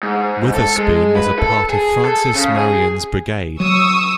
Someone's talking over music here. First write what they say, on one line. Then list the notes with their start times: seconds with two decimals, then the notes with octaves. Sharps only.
Witherspoon was a part of Francis Marion's brigade.
0.03 G#2
0.54 A4
0.77 G#3
1.16 B4
1.39 A4
1.70 G#4
2.05 A4
2.35 C#3
2.57 G#4
3.60 F#3 C#6 D#6 E6